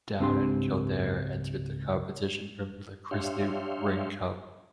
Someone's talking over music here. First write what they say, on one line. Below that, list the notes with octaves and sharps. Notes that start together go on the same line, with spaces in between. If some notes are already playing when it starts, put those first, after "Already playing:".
Down and Kildare entered the competition from the Christy Ring Cup.
C#2 G#2 C4 D4 G4 C6
D4 G4 C#5 E5 F5 C6